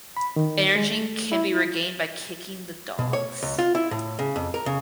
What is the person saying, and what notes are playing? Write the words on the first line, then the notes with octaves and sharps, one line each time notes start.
Energy can be regained by kicking the dogs.
B5
D#3
G#3
A3
E4
B2
C#5
C#2
F4
E4
A2
C#3
F2
A#4
C#3